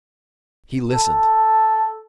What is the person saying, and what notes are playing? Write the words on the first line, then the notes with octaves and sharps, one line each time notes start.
He listened.
A4